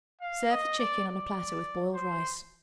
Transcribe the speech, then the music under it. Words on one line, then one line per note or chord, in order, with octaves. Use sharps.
Serve the chicken on a platter with boiled rice.
F5
D#5
D5
D5
C5